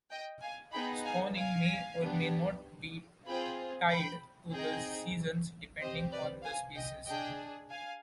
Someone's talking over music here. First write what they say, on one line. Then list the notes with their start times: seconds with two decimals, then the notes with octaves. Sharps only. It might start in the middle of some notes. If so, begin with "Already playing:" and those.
Spawning may or may not be tied to the seasons, depending on the species.
0.11 D#5 G5
0.42 F5 G#5
0.73 B3 D#4 G#4 G5 B5
1.05 F5 G#5
1.36 F5 G#5
2.00 B3 D4 G4
3.26 C4 F4 G#4 G5 B5
3.90 G5 B5
4.53 C4 D#4 G#4 D#5 G5
5.80 C4 G4 C5 D#5
6.12 B4 D5
6.43 F5 G#5
6.75 D#5 G5
7.07 D4 G#4 D#5 G5
7.70 F5 G#5